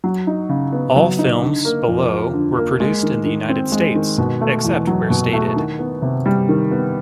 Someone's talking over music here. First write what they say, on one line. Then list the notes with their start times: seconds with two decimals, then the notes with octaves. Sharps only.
All films below were produced in the United States, except where stated.
0.04 F#3
0.27 D#4
0.49 C#3
0.73 B3
0.96 F#3
1.19 D#4
1.42 D3
1.65 A#3
1.88 F2
2.11 F3
2.33 D3
2.57 A#3
2.80 G#3
3.03 D#3
3.26 D#3
3.49 C4
3.72 G#3
3.95 D#3
4.18 B2
4.41 A3
4.65 E2
4.87 F#3
5.10 B2
5.33 A3
5.56 D#3
5.79 B3
6.02 C3
6.26 G3
6.49 D#3
6.71 B3